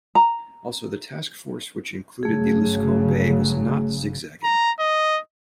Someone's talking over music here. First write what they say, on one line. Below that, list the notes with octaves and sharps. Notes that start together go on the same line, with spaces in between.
Also, the task force which included the "Liscome Bay" was not zigzagging.
A#5
G1 C#3 F#3 A3 G#4
A#5
D#5